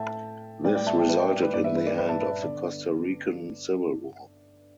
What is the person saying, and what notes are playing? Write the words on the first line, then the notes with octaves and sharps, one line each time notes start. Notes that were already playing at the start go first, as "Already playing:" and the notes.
This resulted in the end of the Costa Rican Civil War.
Already playing: A2 A3 E5 G5 A5
A2 G3 B3 D5 G5
D5 G5
E5 A5
D5 G5
B4 E5
D5 G5
D5
B4
G2 G3 B3 D5
B4 E5
B4
D5
B4 E5
E5 A5
B4 E5
D5
D3 B3 D5